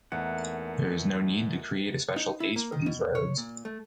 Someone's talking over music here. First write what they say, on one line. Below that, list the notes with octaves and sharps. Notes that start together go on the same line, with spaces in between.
There is no need to create a special case for these roads.
E2 A3 A#3 D#4 A#4 F#5
D#4
E4
A#3
D#3
B2
C#5
A#2
A3